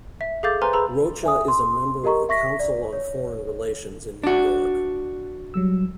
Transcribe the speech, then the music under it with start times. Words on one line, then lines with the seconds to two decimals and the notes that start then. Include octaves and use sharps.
Rocha is a member of the Council on Foreign Relations in New York.
0.21 E5
0.43 G#4 A4 F5 D6 G6 A6
0.62 B4 C5 G#5 A#5 C6 F6
0.73 G#4 B4 A#5 B5 E6
1.23 E5 G#5 D#6
1.48 C6
2.04 G4 A#4 D#5 A#5 C#6
2.29 E5 C#6 A#6 B6
2.59 D5
2.93 C#5
4.24 D4 F#4
5.54 F#3 G3 E6